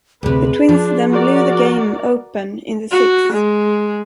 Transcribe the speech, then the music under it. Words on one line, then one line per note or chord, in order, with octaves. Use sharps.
The Twins then blew the game open in the sixth.
D2 C3 G#4 B4
F3 D4
F#4 A#4 D5
F#4
G#3